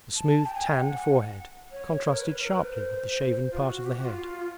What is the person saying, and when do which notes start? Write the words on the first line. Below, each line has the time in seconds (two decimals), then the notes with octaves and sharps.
The smooth tanned forehead contrasted sharply with the shaven part of the head.
0.16 A5
0.46 G5
0.55 G#5
0.65 G5
0.77 F#5
1.71 C#5
2.08 A#4
2.17 B4
2.40 A#4
2.52 B4
2.64 C5
3.52 F4
3.58 F#4
3.86 G4
3.95 F#4
4.05 F4